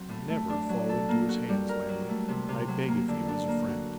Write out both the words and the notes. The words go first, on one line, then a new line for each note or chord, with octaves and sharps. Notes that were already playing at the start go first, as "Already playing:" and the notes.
Never fall into his hands, Lammle, I beg of you as a friend!'
Already playing: F#3 C4
A2
A3
D4
F#3
A4
A#3
F#4
G3
A#4
F#3
A3
C3
C3
F#3
A#3
D3
D4
A#3
F#4